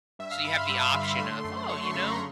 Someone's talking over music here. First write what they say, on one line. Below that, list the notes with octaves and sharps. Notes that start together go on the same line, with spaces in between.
So, you have the option of, "Oh, you know,
G2 E5
F5
G2 B5
C6
G3
D3
A3 C6
F#2
F#3 C#6
C6
C#3 B5
A#5